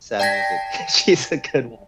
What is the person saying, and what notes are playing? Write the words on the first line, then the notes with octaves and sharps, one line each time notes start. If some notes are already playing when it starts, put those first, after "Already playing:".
sad music, she's a good one.
D5 G5 A5 G#6 A#6 B6